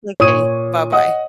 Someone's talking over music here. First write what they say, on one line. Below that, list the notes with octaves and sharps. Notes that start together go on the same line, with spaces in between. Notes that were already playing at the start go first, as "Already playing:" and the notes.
M'kay, bye bye.
A#2 C#5 D#6 D#7
D#5 F#5 D#6